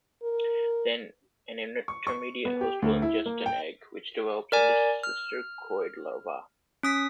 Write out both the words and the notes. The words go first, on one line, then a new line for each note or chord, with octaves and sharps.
Then, an intermediate host will ingest an egg, which develops into a cysticercoid larva.
A#4
C#6
C#6
B3
G4
D2
E4
A#3
G5
A#4 D5 G#5
F6
C#4 D#6 B6